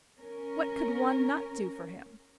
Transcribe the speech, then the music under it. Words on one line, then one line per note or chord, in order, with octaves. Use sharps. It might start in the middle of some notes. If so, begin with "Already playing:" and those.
What could one nut do for him?
C#4 A#4